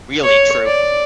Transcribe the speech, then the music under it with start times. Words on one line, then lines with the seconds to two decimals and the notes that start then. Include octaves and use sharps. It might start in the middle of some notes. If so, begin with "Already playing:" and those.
Really true.
0.23 C#5
0.66 D5